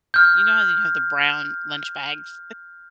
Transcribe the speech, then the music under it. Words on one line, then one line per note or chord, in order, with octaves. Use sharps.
you know how you have the brown lunch bags?
F6 G6